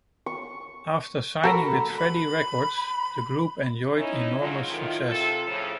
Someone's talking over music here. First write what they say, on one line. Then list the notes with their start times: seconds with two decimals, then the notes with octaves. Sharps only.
After signing with Freddie Records, the group enjoyed enormous success.
0.26 C#6
1.44 F#4 A4 A#4 A#5 B5
1.97 B5
3.97 C#4 D#4 E4
4.41 G#2 F#3 F4
4.70 A2 D#3
5.09 C3 A4
5.47 A2 C#3 F3